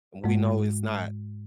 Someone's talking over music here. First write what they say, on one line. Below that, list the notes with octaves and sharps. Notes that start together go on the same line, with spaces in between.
We know it's not
G#2 G#3